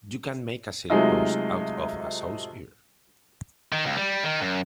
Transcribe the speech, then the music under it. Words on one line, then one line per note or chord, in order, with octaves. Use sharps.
You can't make a silk purse out of a sow's ear.
C3 F#3 G#3 A3 D#4 F4
D#3
C#2
G3
D#3
F#2